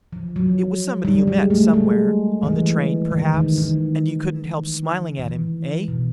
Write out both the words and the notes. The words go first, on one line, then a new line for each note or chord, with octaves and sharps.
It was somebody you met somewhere--on the train, perhaps, and you couldn't help smiling at him, eh?
F3
F#3
G3
G#3
A3
G#3
E3
D#3
D#3
D#3
E3
B2